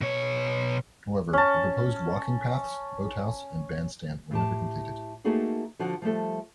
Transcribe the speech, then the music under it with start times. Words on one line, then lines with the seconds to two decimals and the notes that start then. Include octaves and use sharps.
However, the proposed walking paths, boat house, and bandstand were never completed.
0.01 B2 C#5
1.33 C#4 A5
4.31 A2 G4 A5
5.24 A3 A#3 D#4 F#4 G#4 A4
5.79 D3 F3 F#4 F#5
6.02 F3 G3 A3 A4